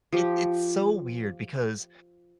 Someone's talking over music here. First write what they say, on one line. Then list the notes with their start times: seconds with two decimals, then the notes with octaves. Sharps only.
It it's so weird because,
0.13 F3 G4